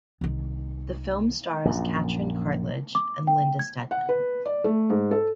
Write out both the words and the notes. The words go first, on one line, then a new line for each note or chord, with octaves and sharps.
The film stars Katrin Cartlidge and Lynda Steadman.
C2 D#3
A#1 F#2
D6
G5
G#6
F#5
B4
D5
A3
G#2
A4